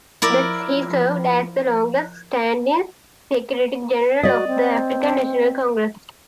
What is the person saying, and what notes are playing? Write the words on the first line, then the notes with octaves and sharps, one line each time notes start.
He served as the longest-standing secretary-general of the African National Congress.
F3 E4 A#4 D5
F#4 D5 D#5
C4